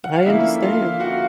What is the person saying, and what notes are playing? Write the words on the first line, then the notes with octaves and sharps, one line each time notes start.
I understand.
F#5
F5
D3 F3 A#3 C#4 E4 E5
F4 F5
F#4 F#5